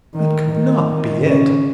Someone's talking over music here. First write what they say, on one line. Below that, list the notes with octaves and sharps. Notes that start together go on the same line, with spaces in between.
That could not be it.
D#3
D#3
D#3
C#3